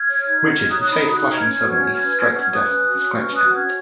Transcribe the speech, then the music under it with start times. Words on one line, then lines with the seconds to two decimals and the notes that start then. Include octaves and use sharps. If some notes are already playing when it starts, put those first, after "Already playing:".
Richard, his face flushing suddenly, strikes the desk with his clenched hand.
Already playing: F6 G#6
0.09 C#5
0.24 D#4
0.40 F#4
0.55 D#4
0.70 C#5 D#6 F#6
0.85 D#4
0.91 B5 D#6
1.00 F#4 G#6
1.10 D#6 F#6
1.16 D#4
1.31 B4 F6 G#6
1.46 C#4
1.61 F#4
1.77 C#4
1.92 B4
2.07 C#4
2.22 F#4
2.38 C#4 F6
2.53 B4 D#6 F#6
2.68 C#4
2.83 F#4
2.98 C#4
3.13 B4 C#6 F6
3.29 C#4
3.34 D#6 F#6
3.44 F#4
3.54 C#4 F6 G#6